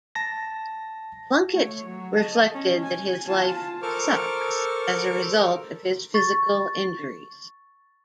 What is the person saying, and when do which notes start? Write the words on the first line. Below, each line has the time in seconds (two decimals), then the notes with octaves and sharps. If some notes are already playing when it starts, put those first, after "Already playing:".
Plunkett reflected that his life "sucks" as a result of his physical injuries.
0.15 A5 A#6
1.53 A3 C#5
1.85 F#3
2.15 D#5 A5
2.53 C#4
2.82 G#5
3.27 F4 A5
3.82 A4 A#4 C5 C#6 D6 F6
6.14 C#6 A6